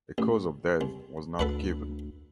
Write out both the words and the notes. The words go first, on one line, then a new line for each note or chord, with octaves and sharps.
A cause of death was not given.
A1
C2
D2 A4 B4 F#5